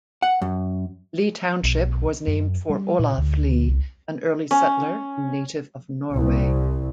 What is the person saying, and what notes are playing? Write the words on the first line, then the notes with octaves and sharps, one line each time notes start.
Lee Township was named for Olaf Lee, an early settler and native of Norway.
F#5
F#2
B1
F#2
G3
A#2
D2
C2
C#4
C2